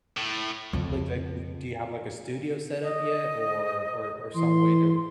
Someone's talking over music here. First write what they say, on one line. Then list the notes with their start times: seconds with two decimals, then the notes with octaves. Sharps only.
Like d like y do you have like a studio setup yet or or or some way to
0.17 A2
0.73 F2 C#3
2.82 D#5
4.35 E3 C6